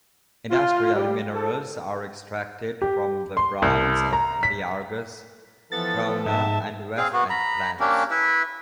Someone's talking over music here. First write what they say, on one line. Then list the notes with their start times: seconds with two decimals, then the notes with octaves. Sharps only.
Industrial minerals are extracted from the brines at the Argus, Trona and Westend plants.
0.49 F4
0.94 G3
1.33 A4
2.82 G4
3.37 C6
3.62 C2
4.13 A#5
4.43 B6
5.72 E3 F3 B3 A4 A6
6.26 G#2 E5 A5
6.97 C4 G#4 F5
7.13 B3 F#4
7.30 A#5 B5
7.80 A#3 C#4 D4 G4
8.10 E4 B4 E5